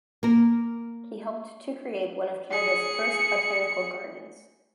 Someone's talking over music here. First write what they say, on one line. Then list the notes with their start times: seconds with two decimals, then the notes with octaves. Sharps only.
He helped to create one of Canada's first botanical gardens.
0.23 A#3 A#4
2.51 G#4 C#7